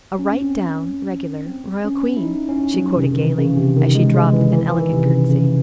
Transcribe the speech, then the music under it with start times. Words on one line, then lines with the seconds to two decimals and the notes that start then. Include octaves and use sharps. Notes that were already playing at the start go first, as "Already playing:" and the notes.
"A right down, regular, Royal Queen," she quoted gaily as she dropped an elegant curtsey.
0.19 C#4
0.33 C#4
0.44 C4
1.46 C4
1.84 C#4
2.17 E4
2.23 D#4
2.49 C#4
2.74 F#3
2.97 C3
3.04 C#3
3.11 D#3
3.18 E3
3.38 C#3
3.57 C3
3.76 D#3
3.95 G#3
4.14 G#3
4.33 E3
4.53 E3
4.67 E3
4.78 D#3
4.92 C3
5.03 C#3
5.29 C#3